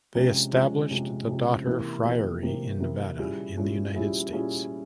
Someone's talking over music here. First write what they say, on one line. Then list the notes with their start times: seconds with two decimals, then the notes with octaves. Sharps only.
They established the daughter friary in Nevada in the United States.
0.15 C3 F3 G#3 C#4
0.53 C3 F3 G#3 C#4
0.91 C3 F3 G#3 C#4
1.29 C3 F3 G#3 C#4
1.66 C3 E3 A#3 E4 A#4
2.04 C3 E3 A#3 E4 A#4
2.43 C3 E3 A#3 E4 A#4
2.80 C3 E3 A#3 E4 A#4
3.19 A#2 G3 C#4 E4 G#4
3.57 A#2 G3 C#4 E4 G#4
3.94 A#2 G3 C#4 E4 G#4
4.33 A#2 G3 C#4 E4 G#4